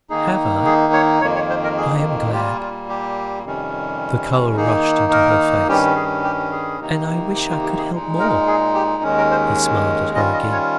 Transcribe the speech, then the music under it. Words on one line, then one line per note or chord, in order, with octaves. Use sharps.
"Have I? I am glad," the colour rushed into her face, "and I wish I could help more." He smiled at her again.
D#3 A#3 D#4 G#4
G#4
C#5
F2 D#3 A#3 C#5
C#5
C5
A#4
G#4
A#2 G3 A#3 F4 G4
F4
G4
F2 C3 D#3 G3 C#4
D#3 A#3 D#4 G#4
A#4
G2 D#3 G3 C#4 G4
G#4
G4
G#4
C3 D#3 A#3 D#4
G4
F4
G4
G#4
A#2 G#3 D#4
A#4
G#4
G4
D#2 D#3 G#3 C#4
A#4
C5
D#3 G3 C#4 F4 D#5
D#5
C#5